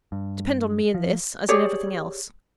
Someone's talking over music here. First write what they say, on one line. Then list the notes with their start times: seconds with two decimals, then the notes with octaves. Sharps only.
Depend on me in this, as in everything else.
0.12 G2
0.94 F3
1.49 G4 G#4 C#5 D5